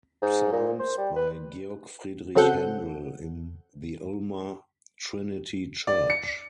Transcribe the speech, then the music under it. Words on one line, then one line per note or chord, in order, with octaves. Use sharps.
Psalms by Georg Friedrich Händel in the Ulmer Trinity Church.
G#2
A#2
C5
G3
B4
C#3 F#3 C4 A4 F#5 G6
D5
C#7